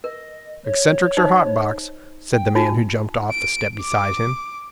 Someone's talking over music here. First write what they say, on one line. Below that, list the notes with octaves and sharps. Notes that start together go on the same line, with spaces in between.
'Eccentrics or hot-box,' said the man who jumped off the step beside him.
A#4 D#5
C#5
D#4 C5 D#5
G5
D#4 F4 F#4 G#5
D7
D6